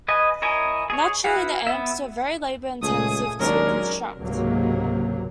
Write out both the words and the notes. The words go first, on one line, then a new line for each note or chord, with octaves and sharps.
Naturally, the amps were very labor intensive to construct.
B4 D#5 G#5
E4 A#4 C#5 D#5 G#5
G#4 C#5
E4 F#4 B4 F5 F#5
B3 E5
C#2 A#2 A3 G#4 G#5 D#6 D#7
D#2 F#3 G#3 C#4 D4 A#4
C#2 G#2 C3 F#3 A#3